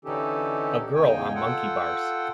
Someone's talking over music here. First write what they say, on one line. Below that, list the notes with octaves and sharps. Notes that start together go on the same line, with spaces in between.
A girl on monkey bars.
D3 E3 C#4 D#4 G4 A4
E2 C#3 D#4 G5 G#5
F4 A4 F#5 G5